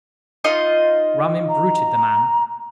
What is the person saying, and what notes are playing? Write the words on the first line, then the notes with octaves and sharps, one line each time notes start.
Rum imbruted the man.
D#4 F4 D#5
A#5